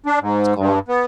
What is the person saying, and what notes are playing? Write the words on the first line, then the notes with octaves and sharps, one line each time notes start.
It's called,
D4
G#2
G2
B3